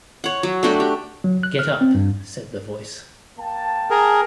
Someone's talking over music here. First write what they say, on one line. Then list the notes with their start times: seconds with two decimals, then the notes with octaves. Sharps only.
"Get up," said the Voice.
0.24 C#5 F#5
0.43 F#3
0.63 A3 D4 F#4 G5
0.80 G4
1.24 F#3
1.43 F#6
1.59 F6
1.81 C4
1.95 G2
3.39 A#3 G5 A5
3.90 G#4 A#4